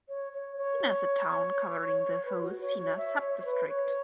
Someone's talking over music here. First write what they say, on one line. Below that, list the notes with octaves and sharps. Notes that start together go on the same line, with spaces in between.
Sena is a town covering the whole Sena sub-district.
C#5
C#5
C#5
B4
F#4
C#5
C#5
E5
C#5
C#5
B4
C#5